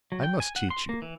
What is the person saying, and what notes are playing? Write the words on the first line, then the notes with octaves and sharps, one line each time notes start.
I must teach you.
F#3
G5
G#5
F#5
C6
A#3
E3